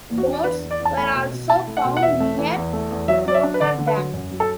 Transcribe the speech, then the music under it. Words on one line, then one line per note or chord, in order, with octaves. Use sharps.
Bones were also found near Rotterdam.
E2
F#4
D4
D5
E2 B4
E2
D5
E2
A5
A3 B5
B2
B2
E4 A5
A3
F#5
B2
F#5
E2 E5
A3
E3
E2
A3
E2
F#3 E5
F#3 D5
E5
D4
B4
D3 D5
D3
B4
F#3
F#2
F#3
A4